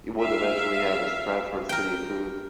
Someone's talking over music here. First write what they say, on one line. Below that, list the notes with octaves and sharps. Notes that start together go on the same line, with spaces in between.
He would eventually have his transfer to City approved.
E5 F5
A#4 G5